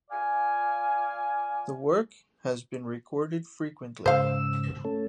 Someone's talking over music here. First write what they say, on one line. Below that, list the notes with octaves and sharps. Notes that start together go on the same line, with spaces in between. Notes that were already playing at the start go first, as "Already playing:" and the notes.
The work has been recorded frequently.
F4 D5 F5 G#5
G#2 C#3 C5 F5 E6
A3 C#4 A4